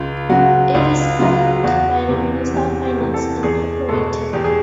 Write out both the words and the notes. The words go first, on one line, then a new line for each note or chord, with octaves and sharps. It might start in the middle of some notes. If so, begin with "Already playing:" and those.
It is owned by the Minister of Finance Incorporated.
Already playing: C#2 F4
C#3 F#3 F#4
C#2 F4
C#3 F#3 F4
E2 F#4
C3 E3
E2 G4
G4
C3 E3
A4
E2 G#4
B2 G#3 A4
E2 G4
G#4